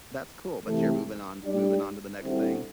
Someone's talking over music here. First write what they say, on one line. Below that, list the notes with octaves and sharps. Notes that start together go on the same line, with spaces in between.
That's cool, but you're moving on moving on to the next thing?
C3 E3 A3
G3 D4 G4 D5
D3 G3 C4 E4